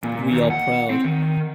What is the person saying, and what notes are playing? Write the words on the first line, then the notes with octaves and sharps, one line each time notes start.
We are proud.
A#2
D#2
F#5
C4
D#3